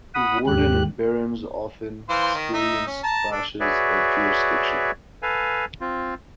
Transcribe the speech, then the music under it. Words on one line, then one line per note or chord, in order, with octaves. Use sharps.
The warden and barons often experienced clashes of jurisdiction.
F#5 B5 D#6
D#2 G#2 G4 F#6
E3 C5 F5
D#3
D#4 E5
C#4
A5 A#5
D4 A4
F#4 G#4 B4 C#5 D5 E5
A4 B4 F5 G#5
C4 F4